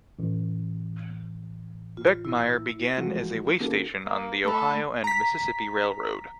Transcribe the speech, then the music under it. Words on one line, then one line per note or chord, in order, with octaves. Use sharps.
Beckemeyer began as a way station on the Ohio and Mississippi Railroad.
A1
F4
E4
E3 F3 G#3 A3 F#4
D#3 A#3 C#4 F#4 G#4 A4
A#3
A3 A4 B5
A#5 B6